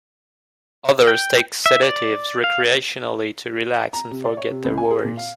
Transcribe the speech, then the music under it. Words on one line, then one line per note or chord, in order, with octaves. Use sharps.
Others take sedatives recreationally to relax and forget their worries.
G5
E5
D5
F5
A#5
C3
D5
C#5
C3
C#2
G#5
G#4
A#2
F5